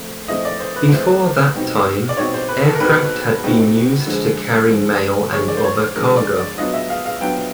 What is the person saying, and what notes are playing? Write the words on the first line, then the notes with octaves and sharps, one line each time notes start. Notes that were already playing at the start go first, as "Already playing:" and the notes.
Before that time, aircraft had been used to carry mail and other cargo.
Already playing: F3 A3 C4
F3 A3 C4 E4 D#5
D5
C5
B4
F3 A3 C4 E4 C5
B2 G3 C4 D#4
D5
B2 G3 C4 D#4 C#5
C5
B4
A4
A#4
B2 G3 C4 D#4 B4
B2 G3 C4 D#4
D3 F3 G#3
D3 F3 G#3
D3 F3 G#3 C#5
D5
C5
C#5
C5
D3 F3 G#3 A#4
D5
D5
F#3 B3 D4 F4 D#5
E5
F5
F5
F#3 B3 D4 F4 G5